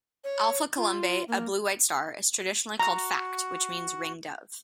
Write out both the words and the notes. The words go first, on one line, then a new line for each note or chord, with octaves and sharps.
Alpha Columbae, a blue-white star, is traditionally called Phact, which means "ring dove".
C#5
F4
A#3
F#4 A#5